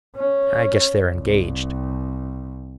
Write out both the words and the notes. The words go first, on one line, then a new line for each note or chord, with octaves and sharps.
I guess they're engaged.
C#4
C2